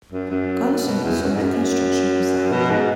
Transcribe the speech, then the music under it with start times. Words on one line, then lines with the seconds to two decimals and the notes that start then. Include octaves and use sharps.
Gongsun saw the construction of Xiangyang.
0.12 F#2
0.31 F#2
0.86 B2
1.04 E2
1.23 F#2
1.36 G#2
1.42 F#2
2.52 B2
2.70 G#2